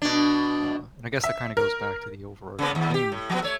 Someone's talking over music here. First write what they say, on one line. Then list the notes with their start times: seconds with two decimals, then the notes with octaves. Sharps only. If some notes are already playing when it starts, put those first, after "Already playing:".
Uh, and I guess that kinda goes back to the overarching theme
0.02 B2 D4
1.24 E5
1.57 A#4
2.59 C#3 A#3 B3
2.75 D#2
2.94 G4
3.12 A2
3.30 F3 F#3 B3
3.42 A3 C#5